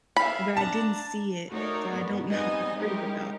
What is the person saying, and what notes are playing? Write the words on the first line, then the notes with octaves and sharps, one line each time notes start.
But I didn't see it, so I don't know, I've heard of it though,
E5 F5 B5
D4 A5 A#5
A3 D#4 F#4 A#4 C#5 D5
G#2 B3
G3 B3 C4 D#4 D#5 G#5
G#3 C#4 D#4 E4 G4 A#4